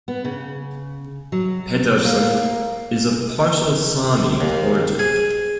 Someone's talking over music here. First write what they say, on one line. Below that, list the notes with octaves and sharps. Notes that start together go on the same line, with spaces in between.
Pedersen is of partial Sami origin.
B3
C#3
F#3
A#3
D#2
G#4